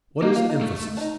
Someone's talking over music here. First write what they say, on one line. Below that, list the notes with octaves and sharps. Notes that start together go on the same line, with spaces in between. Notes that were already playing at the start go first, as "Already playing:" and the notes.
What is emphasis?
A#3 D#4
F4
D#4
A3
D4
D#4